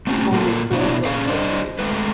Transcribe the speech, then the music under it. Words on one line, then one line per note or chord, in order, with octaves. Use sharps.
Only four books were produced.
A3 C4 C#4 F4 G4
A#2 A#3 F4 A4
B2 B3 D4 E4
A#2 C#4 G#4 F5
D4 C5 D#5
G#3 A3 B4